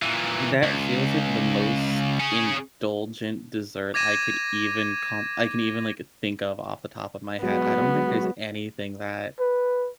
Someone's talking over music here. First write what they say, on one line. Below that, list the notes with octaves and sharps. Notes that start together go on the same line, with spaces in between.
Y that feels like the most indulgent dessert I could even comp I can even, like, think of, off the top of my head, I don't think there's anything that
A#2 E3
C#2
C#4 G#4
D6 G#6 A#6 D#7 E7
F#3 G#3 B3 F#4
B4